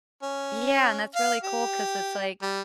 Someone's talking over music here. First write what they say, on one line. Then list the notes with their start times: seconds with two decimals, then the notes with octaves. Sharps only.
Yeah, and that's really cool 'cause it's like
0.23 C#4
1.15 F5
1.44 G4
2.42 G3